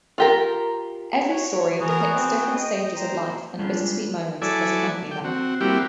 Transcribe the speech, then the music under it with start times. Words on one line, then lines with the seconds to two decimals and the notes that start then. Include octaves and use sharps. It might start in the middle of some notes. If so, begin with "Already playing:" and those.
Every story depicts different stages of life and bittersweet moments that accompany them.
0.18 F4 G4 A#4
1.31 F#4 C#5
1.80 E3 B3 F#4 G#4 A#4
2.15 C4 G5
2.54 D#5
2.97 C5 A#5
3.59 G3 G#3 C#4 D4 F4
4.42 F#3 E4 A4 D5 G#5
5.11 G5
5.24 C4 F#4
5.61 G3 A#3 C4 E4 F#4 G4